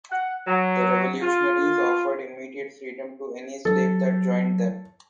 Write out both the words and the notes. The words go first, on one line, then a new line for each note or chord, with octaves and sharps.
The revolutionaries offered immediate freedom to any slave that joined them.
F#5
F#3
F4
F#3 A4